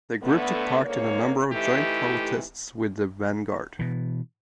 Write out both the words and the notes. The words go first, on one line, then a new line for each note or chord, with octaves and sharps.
The group took part in a number of joint protests with the Vanguard.
A2 D3 A3 B3
D2 G#2 A#3 C#5
C3 E3 A3 D#4 E4 G4
B2 E3